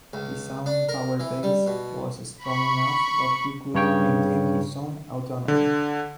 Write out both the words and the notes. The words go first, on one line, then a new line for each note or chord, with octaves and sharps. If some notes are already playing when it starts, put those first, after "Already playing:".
His own power base was strong enough that he could maintain his own autonomy.
C#2
D4
A#4
E3
G3
B2
B5 C#6
G2 C#3 C#5 G5
D3